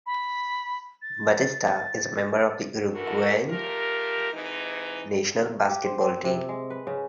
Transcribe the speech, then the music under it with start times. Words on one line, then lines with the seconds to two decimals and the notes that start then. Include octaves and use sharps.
Batista is a member of the Uruguayan national basketball team.
0.06 B5
1.02 A6
2.92 D3 E3 F#4 A4 A#4
3.48 A3 F4 G4 A#4
4.33 G#2 C3 E3 D#4
5.69 G4
5.85 C5
6.01 C4
6.24 C3
6.49 G#3
6.70 B4
6.87 C#3